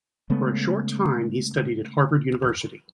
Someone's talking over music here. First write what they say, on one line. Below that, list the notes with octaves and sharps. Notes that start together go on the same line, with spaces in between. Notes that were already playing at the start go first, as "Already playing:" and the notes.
For a short time, he studied at Harvard University.
C#3 G#3 A3 B3